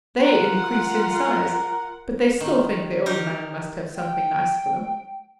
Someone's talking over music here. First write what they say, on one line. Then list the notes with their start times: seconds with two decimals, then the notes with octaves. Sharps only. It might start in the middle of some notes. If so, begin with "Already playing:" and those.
They increase in size, but they still think the old man must have something nice for them.
0.21 F4 A#4 F#5
2.40 D#3
3.06 D#4 G4 A#4
3.96 G5